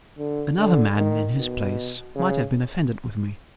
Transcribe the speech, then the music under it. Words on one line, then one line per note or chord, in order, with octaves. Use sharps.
Another man, in his place, might have been offended with me.
D3
D3
D#3
B2
C#3